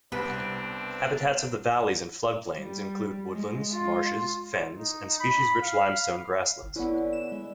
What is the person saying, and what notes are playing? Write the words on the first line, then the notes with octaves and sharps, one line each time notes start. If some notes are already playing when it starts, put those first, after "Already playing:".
Habitats of the valleys and floodplains include woodlands, marshes, fens and species-rich limestone grasslands.
C2 B3 C4 D4 B4
G3
G#3
F4
D#4
B5
F5
G1
D3 E3 B3 C#4 E4
E7
G#3 E4